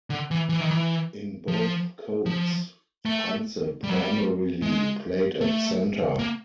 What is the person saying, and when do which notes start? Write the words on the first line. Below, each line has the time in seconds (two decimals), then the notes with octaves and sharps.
In both codes, Franze primarily played at centre.
0.10 D3
0.31 E3
0.49 E3
0.61 D#3
0.71 E3
1.48 F3
2.26 F3
3.05 A3
3.83 G3
3.90 F#3
3.98 G3
4.62 G#3
5.41 A3
6.19 A#3